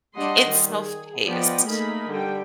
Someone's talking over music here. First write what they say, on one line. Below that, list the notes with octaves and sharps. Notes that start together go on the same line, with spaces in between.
It's self-paced.
G3 D4 D#5 F#5 C6
D#3 G3
G#4
F3 B3 D5 D#5 G5
A3 A#3 D#4 G#4 A#4 B5
D3 G3 G5